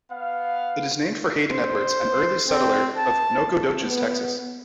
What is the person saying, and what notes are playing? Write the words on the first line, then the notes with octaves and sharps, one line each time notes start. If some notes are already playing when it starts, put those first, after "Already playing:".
It is named for Haden Edwards, an early settler of Nacogdoches, Texas.
B3 F5
C5
C4
A5
B3